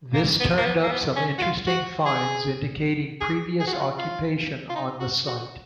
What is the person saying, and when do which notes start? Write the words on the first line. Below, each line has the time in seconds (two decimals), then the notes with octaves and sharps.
This turned up some interesting finds indicating previous occupation on the site.
0.14 A#3
0.40 B3
0.57 A#3
0.65 B3
0.83 A#3
0.91 B3
1.16 C#4
1.38 F#4
1.42 F4
1.67 F#4
2.06 G#4
3.21 G#4
3.60 G#4
3.67 F#4
3.74 F4
3.82 F#4
3.98 F4
4.70 F4
4.76 D#4
5.00 F#4
5.27 F#4